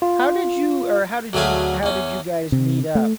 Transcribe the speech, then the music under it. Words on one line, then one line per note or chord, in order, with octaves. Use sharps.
how did you or, how did you how did you guys meet up?
F4
D2 F#3 A3 G#4 F5
E2 C#4
C3
A3